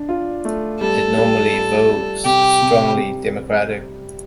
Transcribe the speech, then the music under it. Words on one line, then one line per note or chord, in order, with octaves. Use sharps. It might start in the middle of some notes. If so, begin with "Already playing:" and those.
It normally votes strongly Democratic.
Already playing: D4
F4
A3
G3 A4
G3
G3
G3
C3 G4
C3
C3